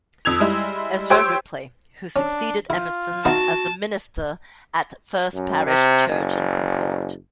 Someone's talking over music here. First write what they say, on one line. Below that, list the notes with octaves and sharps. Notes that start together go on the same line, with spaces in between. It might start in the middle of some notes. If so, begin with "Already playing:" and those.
Ezra Ripley, who succeeded Emerson as the minister at First Parish Church in Concord.
F2 E6 G#6 F7
G3 G#3 E4
G4 C5 C#5 G5 C6 E6
C#4 D4
E4 F4
B3 D#4 E4 F#4 A5
F#2
C3
F#1